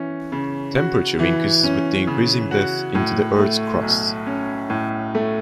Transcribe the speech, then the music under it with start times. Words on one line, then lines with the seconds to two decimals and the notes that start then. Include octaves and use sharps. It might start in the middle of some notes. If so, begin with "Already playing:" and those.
Temperature increases with increasing depth into the Earth's crust.
Already playing: E3 C#4
0.32 C#3
0.76 F#4
1.19 E3
1.64 C#4
2.07 C#3
2.51 F#4
2.95 A2
3.39 A3
3.82 B1
4.27 C#4
4.70 A2
5.15 A3